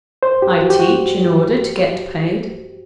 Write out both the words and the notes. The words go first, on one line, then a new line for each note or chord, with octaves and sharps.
'I teach in order to get paid.'
C5
G4
F#4
G4
F#4